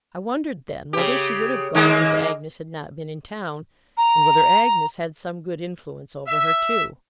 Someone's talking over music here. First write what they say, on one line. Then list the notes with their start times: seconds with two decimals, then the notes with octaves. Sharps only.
I wondered then, whether she would have gone if Agnes had not been in town, and whether Agnes had some good influence over her too!
0.93 C#3 G4
1.75 D#3 G#3 A#3
3.97 A#5
6.27 E5